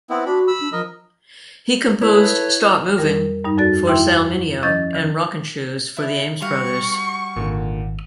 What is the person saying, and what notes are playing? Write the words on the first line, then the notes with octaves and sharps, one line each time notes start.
He composed "Start Movin'" for Sal Mineo and "Rockin' Shoes" for the Ames Brothers.
B3 C4 E4
D4 F#4 B5
B5 E6
D4
F3 A#4 D#5
E4 A4 B4 C#5
F2 G3 A#4
G2 G3 D#4
F2 F#4 A4 D5 A6
F2 E4 E5 G5 C6
F3 C#4 D#5 G6 A6
D3 E3
E4
G3 F#4 F5 C#6
G#1 A#2 D3